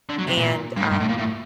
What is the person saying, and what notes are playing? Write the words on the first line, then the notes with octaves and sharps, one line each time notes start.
and, um,
D3
F#3
C3
A#2
G2
A2
G2
A2
A#2
A2